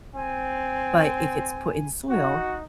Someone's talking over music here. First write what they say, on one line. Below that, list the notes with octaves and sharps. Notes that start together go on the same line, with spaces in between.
but if it's put in soil,
C4 G#5
D#4 F#4